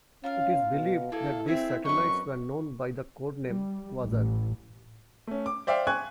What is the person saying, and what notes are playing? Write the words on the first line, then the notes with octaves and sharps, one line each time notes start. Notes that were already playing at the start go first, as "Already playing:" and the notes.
It is believed that these satellites were known by the code name "Quasar".
C#4 F4 A#4 F5
B2
A#3 E4 G#4 A4
C4 G#4 E5
F#2 D#4 B4 C#6
G3
A1
A3 C#4
D6
C5 D5 E5 F5 G5
G#5 C#6 F#6 G#6